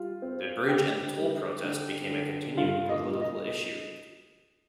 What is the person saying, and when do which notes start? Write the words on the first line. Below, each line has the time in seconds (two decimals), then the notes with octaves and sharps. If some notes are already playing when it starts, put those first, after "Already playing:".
The bridge, and the toll protest, became a continuing political issue.
Already playing: G3 F4 F5
0.22 C4
0.68 D3 G4 G5
1.16 G3
1.64 D3
2.10 D3
2.57 G2 F4 F5
2.89 D#5
3.05 G3
3.21 D#5